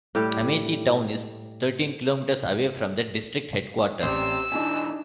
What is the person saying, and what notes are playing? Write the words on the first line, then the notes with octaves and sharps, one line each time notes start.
Amethi town is thirteen kilometers away from the district headquarter.
A2 G3 G4
A1 G4 C5 D5 E6
B2 E3 D4 D#4 G#5